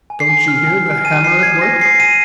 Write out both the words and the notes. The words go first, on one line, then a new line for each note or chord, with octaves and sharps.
Don't you hear the hammer at work?
G#5
C7
G#5
F6
G#5
F6
G#5 D#7
G#5 C7
F6 G#6
G#5 A#6
G#5 C7
G#5 D#7